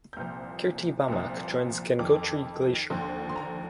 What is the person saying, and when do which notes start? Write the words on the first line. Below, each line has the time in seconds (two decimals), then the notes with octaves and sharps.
Kirti Bamak joins Gangotri glacier.
0.13 G6
0.16 C2 A#2 F3 F6
1.08 C2 A#2 F3
1.99 F2 D#3 D6
2.90 D#2 D3 F3 C6
3.29 C6
3.36 A#5